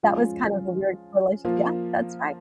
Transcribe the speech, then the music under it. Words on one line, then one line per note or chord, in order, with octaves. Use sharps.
that was kind of a weird push. Yeah, that's right.
F3 G#3 C#4 F4
F3 A#3 F4